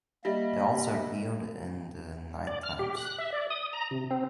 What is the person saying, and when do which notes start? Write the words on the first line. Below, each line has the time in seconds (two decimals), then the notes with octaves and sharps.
They also appeared in the Night Times.
0.25 G3 A#3 D#5 E5
2.47 D5
2.63 F6
2.79 G4
2.97 F#6
3.18 E5
3.32 D5
3.50 D#6
3.73 A#5
3.91 C3
4.11 C4